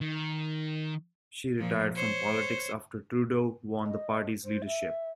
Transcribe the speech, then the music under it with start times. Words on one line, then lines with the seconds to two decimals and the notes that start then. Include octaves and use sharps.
She retired from politics after Trudeau won the party's leadership.
0.01 D#3
1.58 A#2 F3
1.95 C5 C#5
3.83 D#5
4.45 C5
4.66 E5